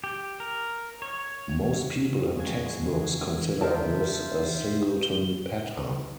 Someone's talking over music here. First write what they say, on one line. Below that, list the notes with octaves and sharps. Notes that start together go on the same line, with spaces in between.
Most people and textbooks consider this a singleton pattern.
G4
A#4
C#5
C#3 F3 G#3 F#4 G#4 G#6
D#4 F4 A#4 C5 E5 A5
G7